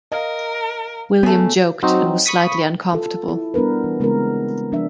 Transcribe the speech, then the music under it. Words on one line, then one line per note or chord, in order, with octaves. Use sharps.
William joked, and was slightly uncomfortable.
A#4 D#5 F5
C#3 A3 B3
F#3 C4 D#4
B5 C#6 D#6 B6
F4 A4
E4
G3 B3 D4 A#4 B4
E3
C#3 G#3 B3 C4 E4 A#4
F3 D4 E5